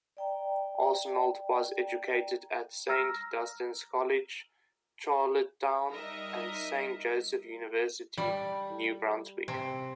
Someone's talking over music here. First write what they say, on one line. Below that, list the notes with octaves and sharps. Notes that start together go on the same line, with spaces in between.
Arsenault was educated at Saint Dunstan's College, Charlottetown, and Saint Joseph University, New Brunswick.
D5 G5 A#5
A#5 E6 F6 A#6
G3 D#4 A#4 D#5 E5
G3
C3